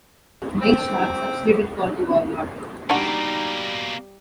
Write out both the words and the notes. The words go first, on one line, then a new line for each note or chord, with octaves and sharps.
Mike Sharpe substituted for The Warlord.
C4
B2 G3 A#3 D4 D#4 F#4